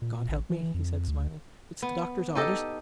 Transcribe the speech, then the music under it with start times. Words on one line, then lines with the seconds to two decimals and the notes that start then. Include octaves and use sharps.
"God help me," he said, smiling, "it's the doctor's orders."
0.02 A#2
0.29 A1
0.50 E3
0.74 F2
1.08 D2
1.82 B3
2.35 D#4 G4 A4 D#5